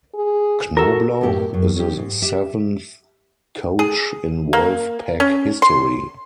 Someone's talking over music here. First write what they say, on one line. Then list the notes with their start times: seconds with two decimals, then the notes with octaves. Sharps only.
Knoblauch is the seventh coach in Wolf Pack history.
0.14 G#4
0.77 F#4 A4 A#4
1.21 F#2 A2 B3 G4 A4 A#4
1.54 F#2
1.76 C#4 G4
1.98 G#2
2.22 G4 E5
3.79 G#4
4.53 A#3
5.20 C#4
5.62 C6